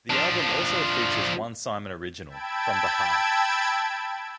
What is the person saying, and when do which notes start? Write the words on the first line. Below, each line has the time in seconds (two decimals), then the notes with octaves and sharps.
The album also features one Simon original, "From the Heart".
0.10 F3 D4
2.27 G5 A5 B5 E6 G#6 D7